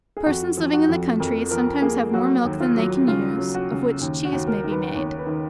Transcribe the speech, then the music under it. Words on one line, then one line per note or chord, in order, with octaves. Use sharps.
Persons living in the country sometimes have more milk than they can use, of which cheese may be made.
G#4
F2 F#4
F3
F#4
F2
F2 A#4
F3 A#4
A#3 G#4
F#3 F#4
D#2
F4
F#3
C#3 F4
F#3
F#4
C#3
D#2
F#4
D#2
A#4
D#3
B4
D#2 C#5
B4
D#3